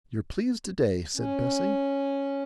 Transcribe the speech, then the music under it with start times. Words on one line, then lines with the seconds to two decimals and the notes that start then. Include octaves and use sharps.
'You're pleased to-day,' said Bessie.
1.17 C#4